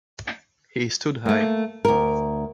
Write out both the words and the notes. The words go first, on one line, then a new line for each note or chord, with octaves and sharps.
He stood high.
A3 A#3
D2 A#4